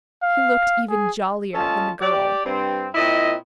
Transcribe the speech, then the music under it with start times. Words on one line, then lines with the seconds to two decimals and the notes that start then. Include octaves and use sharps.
He looked even jollier than the girl.
0.23 F5
0.89 G#4
1.54 C#4 F4 A4 D#5 A5
2.01 G4 D5
2.45 G2 C4
2.95 A#2 C4 E4 D#5